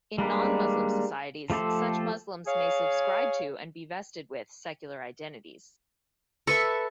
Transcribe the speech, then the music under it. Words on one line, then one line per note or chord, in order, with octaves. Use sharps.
In non-Muslim societies, such Muslims may subscribe to, and be vested with, secular identities.
G3 G#3 A#3 D4 B4
F3 A3 G4 A4 C5
G#4 C#5 F5
A4 B4 E5 C#6